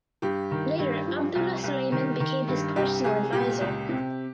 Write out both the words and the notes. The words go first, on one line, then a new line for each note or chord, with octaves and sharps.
Later Abdullah Suleiman became his personal advisor.
G2 G4
D#3
G2
F3
C2
C2
D#3
D#3
G2
C2 G4
C2 G#4
A#2 G4
C#2
C3